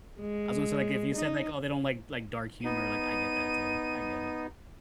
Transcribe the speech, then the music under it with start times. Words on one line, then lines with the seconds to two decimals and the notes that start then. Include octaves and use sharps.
I was gonna say, like, if you said, like, "Oh, they don't like like dark humor," like, I get that too, I get it.
0.20 G#3
1.15 D#4
2.64 B3 D#4 D#7